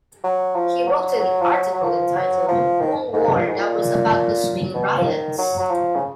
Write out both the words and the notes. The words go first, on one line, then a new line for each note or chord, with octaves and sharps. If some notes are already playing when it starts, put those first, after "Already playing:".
He wrote an article entitled "The Rural War" that was about the Swing Riots.
F#3
F3
F#3
F#3
F3
F#3
F#3
F3
F#3
F3
D#3
G#2
B2
A#2
G#2
A#2
B2
F3
D#3
F#3
F#3
F3
C#3